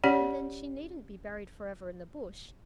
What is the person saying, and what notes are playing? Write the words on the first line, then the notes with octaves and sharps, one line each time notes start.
'And then she needn't be buried for ever in the Bush.
C#4 G4 C#5 D5 F#5